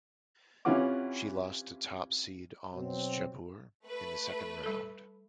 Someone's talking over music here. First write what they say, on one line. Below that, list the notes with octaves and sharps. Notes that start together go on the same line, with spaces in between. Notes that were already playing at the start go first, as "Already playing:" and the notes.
She lost to top seed Ons Jabeur in the second round.
C3 E3 C#4 F4 F#5 D6
B2 F#3 C4
A3 B4
G3 A4